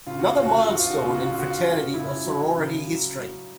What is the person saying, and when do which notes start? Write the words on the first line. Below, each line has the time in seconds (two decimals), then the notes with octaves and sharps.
Another milestone in fraternity or sorority history.
0.07 C#3 F4
0.19 F#4
0.30 F4
0.38 C#3 F#4
0.54 F4
0.66 F3 F#4
0.79 F4
0.90 F#4
1.01 C#3 F4
1.14 F#4
1.26 F4
1.31 C#3
1.39 F#4
1.50 F4
1.63 F3
1.93 C#3 E4
2.25 F#3
2.56 C#3
2.87 F#3
3.18 F#3